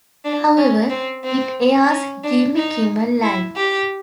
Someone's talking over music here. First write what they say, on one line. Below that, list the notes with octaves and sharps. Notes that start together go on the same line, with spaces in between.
However, it airs Jimmy Kimmel Live!
D4
C#4
C4
C4
C#4
D4
D#4
E4
G4